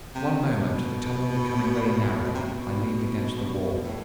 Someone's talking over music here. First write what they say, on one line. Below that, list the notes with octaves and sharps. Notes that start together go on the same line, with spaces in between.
At one moment, the tunnel becoming very narrow, I leaned against the wall.
C3
B2
B2
C3
B2
A2